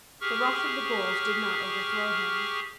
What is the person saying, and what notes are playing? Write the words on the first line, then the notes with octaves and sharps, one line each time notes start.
The rush of the bulls did not overthrow him.
G4 G#4 C#6 F6